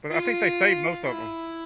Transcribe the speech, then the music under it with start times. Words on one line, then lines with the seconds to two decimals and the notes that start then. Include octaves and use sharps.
But I think they saved most of 'em.
0.10 F4
1.06 E4